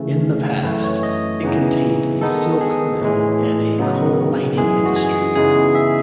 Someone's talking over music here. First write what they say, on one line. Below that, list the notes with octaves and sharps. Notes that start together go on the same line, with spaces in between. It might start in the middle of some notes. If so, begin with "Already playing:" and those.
In the past, it contained a silk mill and a coal mining industry.
Already playing: C#3 E3 A3
F#2 E3 A3 B4
C#5
D#5
C#3 E3 B3 D#4
D#3 G#3 B3 D#4 A4
G#4
A2 E3 G#3
C#3 F#3 B3 D#4
F#2 E3 G#3 G#4
F#4
G#4
C#3 E3 G#3 B3 D#4 G#4
E5